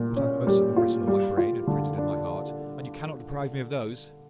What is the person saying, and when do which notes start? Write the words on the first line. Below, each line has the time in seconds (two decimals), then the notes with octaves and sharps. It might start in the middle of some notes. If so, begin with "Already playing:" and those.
But I've most of them written on my brain and printed in my heart, and you cannot deprive me of those!'
Already playing: A#2
0.17 C#4
0.47 G3
0.76 F4
1.08 G3
1.37 F4
1.67 D3
1.98 D4